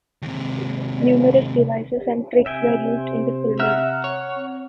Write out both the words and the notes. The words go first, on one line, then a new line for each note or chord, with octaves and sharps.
Numerous devices and tricks were used in the filming.
D#2 C3
C3 E5 G5 G#5
C5
E5 F#5 A#5 F6 F#6
C#5
C4